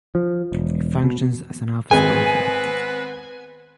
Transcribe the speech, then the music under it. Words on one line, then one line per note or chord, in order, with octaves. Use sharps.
It functions as an office building.
F3
E1
B2
G#1 B3 C4 G#4 B4 G#5